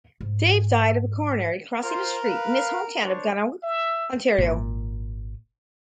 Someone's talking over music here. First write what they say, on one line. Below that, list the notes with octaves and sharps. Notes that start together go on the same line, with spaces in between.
Day died of a coronary crossing a street in his hometown of Gananoque, Ontario.
G#2
F4 A#4 C5
B4 F5
D4 C5 C#5
E5
G#1 A#2